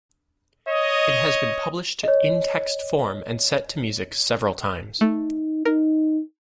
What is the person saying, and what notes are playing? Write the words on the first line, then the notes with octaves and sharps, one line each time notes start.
It has been published in text form and set to music several times.
C#5 D#5
C#5 D#5
A3 D#4
D#4 A#4